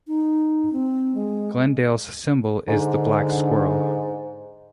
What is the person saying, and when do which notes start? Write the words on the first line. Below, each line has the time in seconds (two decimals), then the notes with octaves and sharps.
Glendale's symbol is the black squirrel.
0.07 D#4
0.73 C4
1.15 G#3
2.68 G#2 D3